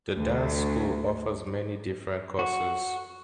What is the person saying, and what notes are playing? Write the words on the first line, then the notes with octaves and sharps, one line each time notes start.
The dance school offers many different courses.
D2
F#4